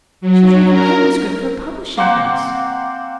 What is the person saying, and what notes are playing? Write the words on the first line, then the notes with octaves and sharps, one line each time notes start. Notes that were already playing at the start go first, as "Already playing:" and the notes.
She is reading manuscript for a publishing house.
F#3
A#4
A#3 C4 F#5 C6